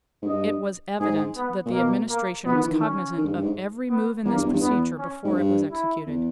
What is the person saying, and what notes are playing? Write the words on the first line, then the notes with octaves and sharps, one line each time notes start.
It was evident that the Administration was cognizant of every move in this procedure before it was executed.
G#2
G2 D#5
G#2 G#4
B3
A#2
B2 A#3
A#3
B2 B3
D#3
E3
D#3
C#4
D#3
G2
G2
G#2
B3
E2 A#3
G2
E2
G2
E2 B3
C#4
G#2
G2
E4
E2